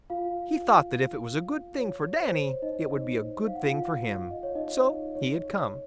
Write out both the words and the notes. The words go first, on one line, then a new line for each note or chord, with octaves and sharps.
He thought that if it was a good thing for Danny it would be a good thing for him, so he had come.
F4 F5
C#5
C5
D#4 D#5
F5
F#5
F4 F5
D#5
C#5
D#4 D#5
C#5